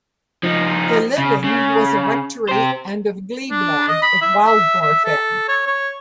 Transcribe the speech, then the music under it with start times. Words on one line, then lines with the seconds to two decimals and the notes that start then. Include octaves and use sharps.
The living was a rectory and of glebe land at Wildmoor Fen.
0.43 F3 D#4
1.18 C#3
1.44 C#3
2.49 G4 C5
3.50 D4
3.88 D#5
4.02 B5
4.22 E5
4.46 E5
4.82 E5
5.05 A4
5.48 C#5
5.67 C#5